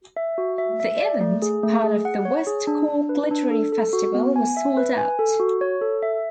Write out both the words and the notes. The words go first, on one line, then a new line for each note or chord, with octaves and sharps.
The event, part of the West Cork Literary Festival, was sold out.
E5
F#4
E5
E5
D5
A3
G#4
A3
G#4
F#5
C#5
G#4
D4
D4
B4
D4
A4
A4
F#4
B3
G#5
E5
B4
G#5
A4
F#4
C#5
A4
E5